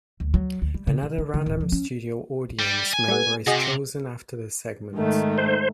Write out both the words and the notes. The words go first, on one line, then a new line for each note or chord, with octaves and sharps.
Another random studio audience member is chosen after the segment.
D2
F#3
D2
G3
C#3
C3
D4
D3
D1
F3
C#4
G3
G#5
G3 A3 B3
C3 F#4 G#4 D#5
G#2 D#3 A3
C5